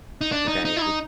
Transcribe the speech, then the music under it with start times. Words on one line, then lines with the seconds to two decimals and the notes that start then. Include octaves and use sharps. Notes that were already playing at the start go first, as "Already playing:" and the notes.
okay? Y
0.21 D#4
0.32 D4
0.48 D#4
0.65 D#4
0.77 E4
0.82 D#4